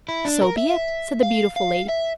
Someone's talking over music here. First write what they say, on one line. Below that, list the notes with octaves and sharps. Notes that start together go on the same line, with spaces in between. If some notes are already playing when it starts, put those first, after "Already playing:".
"So be it," said the beautiful lady.
E4
D4
A#4
E5
F5
F5
E5